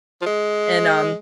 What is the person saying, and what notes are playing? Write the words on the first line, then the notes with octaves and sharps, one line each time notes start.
and, um,
F3
G#3